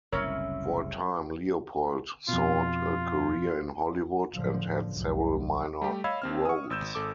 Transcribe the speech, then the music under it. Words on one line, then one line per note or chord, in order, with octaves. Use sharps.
For a time Leopold sought a career in Hollywood and had several minor roles.
F#1 C2 A2 C4 C#4 E4 A#4 C#5
F2 B2 F4
F#1 A2 D3 F3
F1 C2 F#2
G3 A3 G4
C#5 D#5 F5 B5 E6 G#6
D#2 C4 F6
C#6 D#6
G#1 E6 G6 E7
G#1 A4 D6